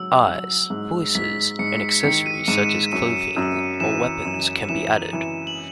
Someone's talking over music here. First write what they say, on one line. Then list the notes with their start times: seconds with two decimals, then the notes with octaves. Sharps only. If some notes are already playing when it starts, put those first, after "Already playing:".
Eyes, voices, and accessories such as clothing or weapons can be added.
Already playing: G#2 F#3 E6
0.27 F#3
0.70 G#2
1.15 G#2 B6
1.59 G#2 C#7
2.04 D#3 C#7
2.26 D#7
2.48 G#2 E7
2.64 D#7
2.69 E7
2.92 F#2 D#7
3.37 F#2
3.80 E3 E7
4.25 F#2
4.69 E3 E7
5.13 E3
5.47 F#7